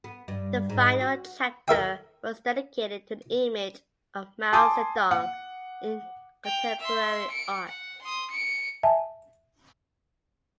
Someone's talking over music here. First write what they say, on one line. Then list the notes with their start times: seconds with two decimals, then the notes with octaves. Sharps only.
The final chapter was dedicated to the image of Mao Zedong in contemporary art.
0.04 B3
0.28 G2
0.70 G#2
1.01 F#4
1.68 A4 A#4 E5 G5
4.53 G#5 A5 C6 D6 D#6
5.11 F#5
6.45 G5 F7
6.80 E5 C6
7.31 C#7 D7
7.68 F#5
8.02 C6 D#6
8.30 C#7 D7
8.83 E5 G#5 A5